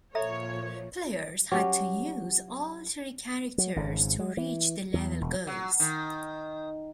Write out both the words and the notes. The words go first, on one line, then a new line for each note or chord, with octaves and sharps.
Players had to use all three characters to reach the level goals.
A#2 F3 A4 C#5 E5 A#5
F#3 C#4 G4
F#3
G#1 G#2 C#3
F#3
E3
E2
E1
F#3
D#3